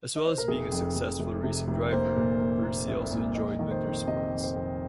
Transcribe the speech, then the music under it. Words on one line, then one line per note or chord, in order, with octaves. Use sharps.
As well as being a successful racing driver, Percy also enjoyed winter sports.
D#5
C5
A#4
F1 G#4
F2
F1
F1
C3
F1
A#3 C5
A#2
A#3
A#3
C2
A#2
F2 D#5
D#3
C5
F2
C3 D#5
F2
C5
F2